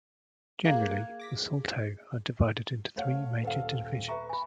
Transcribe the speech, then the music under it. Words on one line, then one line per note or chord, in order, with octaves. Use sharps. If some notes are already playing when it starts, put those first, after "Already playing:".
Generally, the Saulteaux are divided into three major divisions.
A#3 G#4 F#6
D6 A#6 B6
A3 C#5 F5
D#1 A4 B4 C5 F5
B4 E5 A#5 C#6
G#5 B5